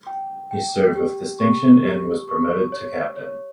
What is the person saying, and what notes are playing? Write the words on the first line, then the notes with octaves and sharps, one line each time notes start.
He served with distinction and was promoted to Captain.
G5
G5
G4
C#6
G4
C#6
C#5
C#5